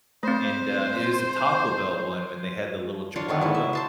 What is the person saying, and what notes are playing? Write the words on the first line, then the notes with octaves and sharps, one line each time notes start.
and uh, it was the Taco Bell one when they had the little chihuahua.
A3 C4 C5
D4 F4 C#5 C6
D3 D#3 B3
F#3 E4
E5
C5 A5 C6